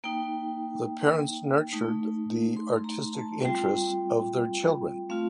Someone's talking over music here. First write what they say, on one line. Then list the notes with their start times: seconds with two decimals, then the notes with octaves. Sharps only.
The parents nurtured the artistic interests of their children.
0.04 A#3 D#4 G5
1.73 A3 D#4
2.56 C6
2.73 C6
2.84 A#5
3.13 A5
3.40 G3 C4 F4 G5
5.09 A3 C4 F4 F5